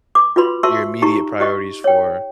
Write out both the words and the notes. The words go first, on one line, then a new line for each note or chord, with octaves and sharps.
Your immediate priorities for,
D6
F4 F#4 B4 B5 C6
F#4 E5 A5 C6 C#6 E6
D#4 G4 A#5 C#6
G4 D#5 C#6
C#5 G5